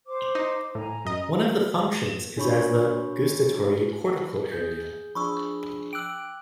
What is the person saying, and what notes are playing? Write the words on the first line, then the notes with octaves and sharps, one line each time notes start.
One of the functions is as the "gustatory cortical area".
C5 D6
D#4
A2 G#5 A#5
F#2 D#5 A#5
D4 F#4 C#5 B5 C#6
G#4 G6
F3 D4 G#4 B5 C#6 E6
G5 D6 E6 F#6 D7